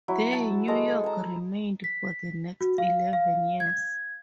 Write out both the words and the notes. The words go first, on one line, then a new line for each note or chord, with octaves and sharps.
There "New York" remained for the next eleven years.
F#3 E4
A5
G#3 A4
A5 A#5
B6
F#4
F5
F5
G#6